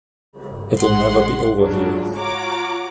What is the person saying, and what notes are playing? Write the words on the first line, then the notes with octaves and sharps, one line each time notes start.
It'll never be over here.
A1 G#2 G#3 F#5 C6
G#2 C#3 F#3 D4 F4
F4 F#4 C#5 A#5 D6